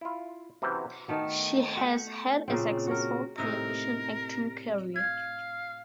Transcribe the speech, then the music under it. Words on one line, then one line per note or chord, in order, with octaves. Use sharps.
She has had a successful television acting career.
E4 F4
C3 E3 F#3 C#4 C5
D#3 A3 B3
E5 F#5 G5
A#2 C#3 C4
F#4 A#4
A2 C3 D#4 A#4
F5 G#6